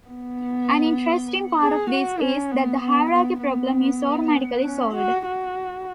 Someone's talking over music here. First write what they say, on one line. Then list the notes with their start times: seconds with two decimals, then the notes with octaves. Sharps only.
An interesting part of this is that the hierarchy problem is automatically solved.
0.08 B3
1.60 G#4
1.91 F#4
2.21 C#4
2.52 B3
2.82 B3
3.12 B3
3.43 B3
4.65 C#4
4.95 F#4
5.26 F#4